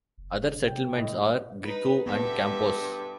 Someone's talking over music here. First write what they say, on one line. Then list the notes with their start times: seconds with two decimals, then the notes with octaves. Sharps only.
Other settlements are Grikou and Kampos.
0.18 F#1
0.56 C3
0.68 G5
0.95 A2 E4 D#5
1.64 D#4 B4
2.06 G2 B3 A4 E5